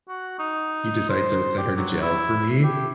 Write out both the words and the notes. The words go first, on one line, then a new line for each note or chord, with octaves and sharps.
he decided to send her to jail, for me,
F#4
D#4
C5
G4
F#3
E4
G4